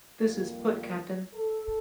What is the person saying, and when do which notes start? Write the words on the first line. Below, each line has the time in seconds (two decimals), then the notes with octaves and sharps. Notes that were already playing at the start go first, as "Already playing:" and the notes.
This put Cpt.
0.22 F2 D3 G3 A#3 F4
1.35 A4